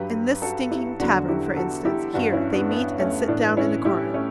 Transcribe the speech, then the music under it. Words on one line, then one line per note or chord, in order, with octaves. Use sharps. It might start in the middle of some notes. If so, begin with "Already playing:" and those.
In this stinking tavern, for instance, here, they meet and sit down in a corner.
Already playing: G2 F#3 G4 B4
F#4 A4
E4 G4
E2 D3 F#3 D4 F#4
E4 G4
F#4 A4
E4 G4
G2 E3 D4 F#4
C#4 E4
B3 D4
B3
A3 C#4
A2 E3 B3 D4
C#4 E4
E4 G4
A3 C#4